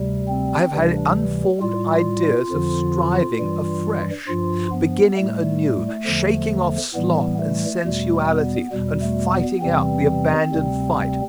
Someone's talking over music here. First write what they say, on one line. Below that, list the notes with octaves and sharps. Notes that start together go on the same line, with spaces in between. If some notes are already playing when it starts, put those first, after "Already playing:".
I have had unformed ideas of striving afresh, beginning anew, shaking off sloth and sensuality, and fighting out the abandoned fight.
Already playing: D2 C3 G3
C4
D2 C3 E3 G3 D4
A2 G3 F4
F2 D3 F3
G2 E3 G3
G2 F3 F4
B3
A2 G3 A3
E2 D3 F3
A2 E3 G3 B3
A3
E2 B2 G3 A3
B3
E2 B2 G3
A3
B3
E2 C3 E3 G3 C4
D2 C3 G3